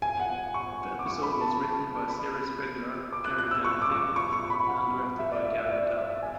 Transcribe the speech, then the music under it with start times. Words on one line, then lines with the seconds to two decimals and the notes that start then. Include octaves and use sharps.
The episode was written by series regular Gary Janetti, and directed by Gavin Dell.
0.02 G#5
0.20 F#5
0.54 C#6
0.99 D6
1.06 C#6
1.23 B5
1.41 A5
2.09 B5
3.13 D6
3.25 F#6
3.38 F#6
3.51 E6
3.64 C#6
3.82 D6
4.16 C#6
4.33 C#6
4.50 B5
4.67 F#5
5.19 E5
5.32 D5
5.44 E5
5.58 E5
5.70 D5
5.83 D5
5.97 E5
6.09 E5
6.22 G#5